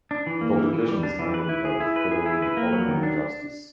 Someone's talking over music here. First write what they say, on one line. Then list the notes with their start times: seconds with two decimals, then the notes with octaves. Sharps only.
The publication is handled by the Federal Department of Justice.
0.11 D4
0.27 E3
0.41 A#3
0.57 E3
0.73 E3
0.88 G3
1.03 D4
1.19 E3
1.34 B4
1.49 E4
1.65 G#4
1.80 E4
1.96 B4
2.11 G#4
2.26 E4
2.42 B4
2.57 A#3
2.73 F#3
2.88 D#3
3.03 D4